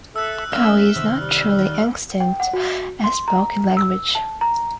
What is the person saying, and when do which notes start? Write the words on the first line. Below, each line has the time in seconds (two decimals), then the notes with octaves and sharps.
Kawi is not truly extinct as a spoken language.
0.16 A4 E5 E6 F#6
0.52 A3 C#4 A#4 E5 E6 F6
0.95 C3 D#3
1.18 G3
1.59 D#2 D#3
2.20 G5
2.40 F#5
2.53 F#4
3.04 C6
3.28 A#5
3.77 E6
4.15 A5
4.41 A#5